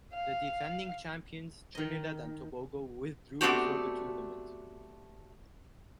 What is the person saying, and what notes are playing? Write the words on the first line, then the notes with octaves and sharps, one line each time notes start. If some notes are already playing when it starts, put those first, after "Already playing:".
The defending champions Trinidad and Tobago withdrew before the tournament.
F5
D#3 D#5
A3 B3 C4 D4 F#4 G4